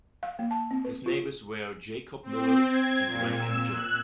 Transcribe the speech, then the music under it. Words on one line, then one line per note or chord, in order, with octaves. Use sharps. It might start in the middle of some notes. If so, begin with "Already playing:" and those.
His neighbours were Jacob Miller and Ranking Joe.
F5
A#3
A5
C4
B4
F4
C4
G#6
A#2
E6
F#6